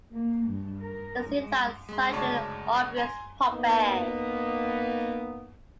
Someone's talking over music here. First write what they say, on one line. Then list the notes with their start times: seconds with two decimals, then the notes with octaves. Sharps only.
They seemed like such an obvious pop band.
0.13 A#3
0.46 G2
0.82 A#4
1.29 G#3
1.89 G#3 C6
2.11 D2 C#3 G#3 C#5 D5 A5
2.97 G#5 A#5 C6
3.50 A#3 B3 D#4